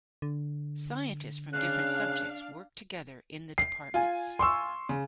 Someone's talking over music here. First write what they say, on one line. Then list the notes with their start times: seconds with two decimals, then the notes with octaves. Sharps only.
Scientists from different subjects work together in the departments.
0.22 D3
1.53 C#3 D4 F5 F#6
3.58 C7
3.94 F4 G#5
4.39 C6 C#6 E6
4.89 C#3